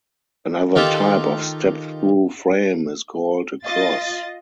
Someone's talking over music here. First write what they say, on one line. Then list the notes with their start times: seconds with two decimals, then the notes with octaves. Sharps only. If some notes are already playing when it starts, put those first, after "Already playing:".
Another type of step-through frame is called a "cross".
0.76 D#3 F4 G4 A4
3.64 F4 D#5 A6